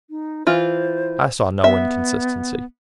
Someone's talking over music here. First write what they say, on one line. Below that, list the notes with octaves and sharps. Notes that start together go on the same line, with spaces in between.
I saw no inconsistency.
D#4
E3 F4 C5
B3 E5